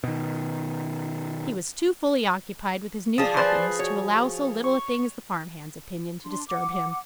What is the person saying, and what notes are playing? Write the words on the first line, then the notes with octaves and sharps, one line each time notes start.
He was too fully occupied with his new happiness to allow so little a thing as the farm-hand's opinion to disturb him.
B2 D#3
F3 G#4 D5 A5 D#6
B4 C5 D5 B5 C7
F#4 C#5
C#6
D4 C6
F#5 D6